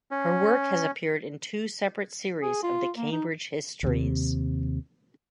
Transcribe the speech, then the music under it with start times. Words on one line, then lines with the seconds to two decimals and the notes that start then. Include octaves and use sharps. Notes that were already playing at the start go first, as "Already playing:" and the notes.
Her work has appeared in two separate series of the Cambridge histories.
0.11 C#4
2.42 G#4
2.63 F4
2.97 A#3
3.12 D#4
3.83 D#2 C3